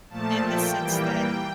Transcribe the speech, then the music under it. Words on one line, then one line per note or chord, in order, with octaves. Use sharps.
in the sense that
A#2 F3 A3 A5
G5
E3 G3 A#3 G5